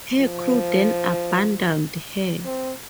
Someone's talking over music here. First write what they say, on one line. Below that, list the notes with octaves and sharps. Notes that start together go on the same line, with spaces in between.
Her crew then abandoned her.
F3
C4